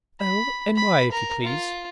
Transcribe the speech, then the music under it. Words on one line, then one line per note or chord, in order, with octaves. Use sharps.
"Oh, and why, if you please?"
B5
B5
A#4
F4